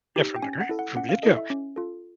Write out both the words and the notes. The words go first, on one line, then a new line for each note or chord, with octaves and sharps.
Yeah, from the gr from the get-go
D#4 G4
G5
C#4 G#5
F#5
E4 A4
F#5
C#4 F#5
F5
E4 A4 D#5
E5
C#4
F4 A4